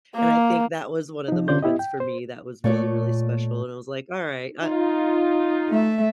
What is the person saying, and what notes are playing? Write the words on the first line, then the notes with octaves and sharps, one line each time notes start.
and I think that was one of the moments for me that was really, really special, and I was like, "Alright, I
A#3
F3 D#4
D3 C#4 F4 D5 C6 G6
B3 E4 G4 D#5
G5
C5
A#2 A3 C#5 D5
D#4 F4
A3 E5